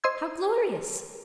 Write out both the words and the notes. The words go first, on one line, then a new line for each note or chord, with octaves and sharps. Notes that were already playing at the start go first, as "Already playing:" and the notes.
How glorious!
C5 D#5 C6 E6 G#6